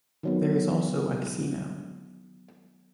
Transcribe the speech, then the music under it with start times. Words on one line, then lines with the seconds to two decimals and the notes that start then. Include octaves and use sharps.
There is also a casino.
0.23 D#3 F#3 B3